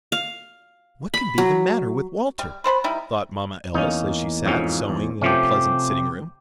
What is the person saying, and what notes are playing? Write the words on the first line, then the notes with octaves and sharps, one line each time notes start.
"What can be the matter with Walter," thought Mama Ellis as she sat sewing in her pleasant sitting-room.
F5
B5
F#3
G3
B4 C5 A5 B5
G3 D#4 E4
E2 A#3 C#4 D#4
F2 G#2 C#4
E2
C3 F3 A3 C#4 G4